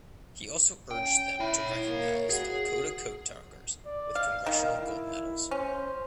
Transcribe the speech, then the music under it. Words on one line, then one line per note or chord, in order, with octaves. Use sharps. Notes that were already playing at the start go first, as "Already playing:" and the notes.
He also urged them to recognize the Lakota code talkers with Congressional Gold Medals.
C#4 G5
E4 C#5 B5
A#3
F#4 G#4
D5
F5
D#3 F5
E4
C#4 C5